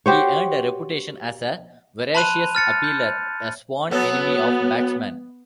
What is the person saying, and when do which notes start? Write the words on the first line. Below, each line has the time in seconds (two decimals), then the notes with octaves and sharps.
He earned a reputation as a voracious appealer, a sworn enemy of batsmen.
0.06 F#4 G4 C5 C#5
2.15 A5 B5 C6 F#6 D#7 F7
2.55 F6 A6 C#7
2.84 G6
3.91 F#3 B3 A4